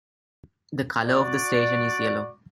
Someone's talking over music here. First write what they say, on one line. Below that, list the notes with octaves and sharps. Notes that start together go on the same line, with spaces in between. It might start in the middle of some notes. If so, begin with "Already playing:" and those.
The color of the station is yellow.
F#4 D5